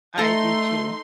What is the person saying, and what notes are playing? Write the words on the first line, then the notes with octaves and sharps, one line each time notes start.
I do too.
A3 D#4 A4 A#5 C6